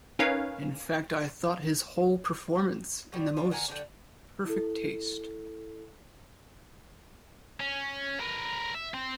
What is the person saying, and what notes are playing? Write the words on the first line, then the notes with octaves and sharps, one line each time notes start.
In fact, I thought his whole performance in the most perfect taste.
C#4 D#4 A#4 B4 C#5 F5
F#3 G3
G3 C#4 F4
D#3 F#5 G#5 A#5
D3 A3 D4 G5
E4 A4
C#4
A#4 B4
E5
C4